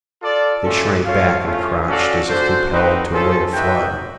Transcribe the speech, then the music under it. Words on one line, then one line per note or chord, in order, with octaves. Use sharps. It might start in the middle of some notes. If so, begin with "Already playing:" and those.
They shrank back and crouched as if compelled to await a flood.
F4 A4 D5
A3 C#4 F4 A4
F4 A4 C#5 F5
A3 C#4 F4
C#4 F#4 A4 D5 F5
D4 F#4 A4 C5
C4 D#4 F#4 B4
C#4 F4 A4 C5
D#4 F#4 B4 E5 G5